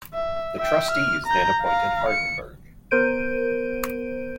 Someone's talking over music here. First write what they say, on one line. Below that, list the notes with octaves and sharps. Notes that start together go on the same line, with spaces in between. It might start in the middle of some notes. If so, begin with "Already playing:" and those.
The trustees then appointed Hardenbergh.
E5
E5 G5
F6
A#5 G6
F5 A#5
C#7
B3 A#4 C5 G6 D7 D#7